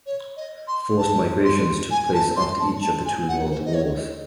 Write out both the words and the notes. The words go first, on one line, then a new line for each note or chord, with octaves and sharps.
Forced migrations took place after each of the two world wars.
C#5
D#5
C6
A5
C6
G#5
A5
C6
A5
A5
G#5
F#5
C5
D#5
C#5
D#5